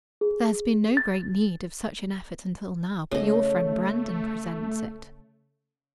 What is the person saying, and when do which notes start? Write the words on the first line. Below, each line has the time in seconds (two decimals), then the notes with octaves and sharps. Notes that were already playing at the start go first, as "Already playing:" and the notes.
There has been no great need of such an effort until now, but your friend Brandon presents it.
0.21 G#4
0.97 A6
3.11 C#3 A3 D#5